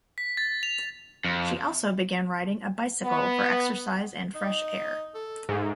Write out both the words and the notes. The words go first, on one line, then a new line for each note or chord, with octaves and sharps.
She also began riding a bicycle for exercise and fresh air.
B6
A6
F7
F2
B3
D#4
A4
G#2 A3